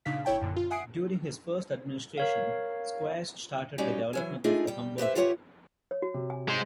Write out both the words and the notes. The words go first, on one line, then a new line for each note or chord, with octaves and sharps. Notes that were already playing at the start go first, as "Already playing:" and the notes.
During his first administration, Squires started the development of the Humber River.
A#2 C#3 D4 D#4 F5 B6
G#1 E4 C#5 G5 A5
F#2 A#2 D3
F4
E5 F#5 G#5 D#6 C7 D7
A#4 C#5 F5
G3 C#4 D#4 E4 F#4 G4
E3 F#3 G#5
G#3 A3 D4 D#4 F4 G#4
G3 G5
G4 B4 C5 E5
E4 F4 G4 C#5 F5 F#5
C#5
F#4
C3
G#5
G#3 C5